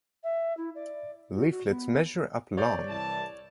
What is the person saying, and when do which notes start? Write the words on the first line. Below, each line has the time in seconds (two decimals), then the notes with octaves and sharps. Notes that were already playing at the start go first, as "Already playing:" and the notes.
Leaflets measure up long.
0.23 E5
0.57 E4
0.75 D5
1.33 F#4
1.50 F#4
1.68 B3
2.57 C#5 D5 G6
2.88 C2 E3 A5